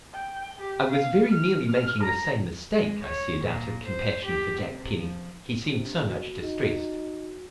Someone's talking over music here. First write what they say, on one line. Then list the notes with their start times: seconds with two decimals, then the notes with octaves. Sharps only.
"I was very nearly making the same mistake," I said, out of compassion for Jack Penny--he seemed so much distressed.
0.14 G5
0.59 G4
0.90 F5
1.30 F6
1.67 F6
2.03 A#5
2.74 G#3
3.04 C#5
3.46 A#2
3.88 C5
4.26 G4
4.62 C3
4.96 F3
5.69 C3 D4
6.07 B2 F#4
6.41 D#4